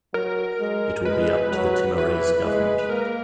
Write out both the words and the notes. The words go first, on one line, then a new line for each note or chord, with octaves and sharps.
It will be up to the Timorese government.
F#3 A#4
G#3
G#3 B4
F#3
E3 B4
G#3
B4
A#3 A#4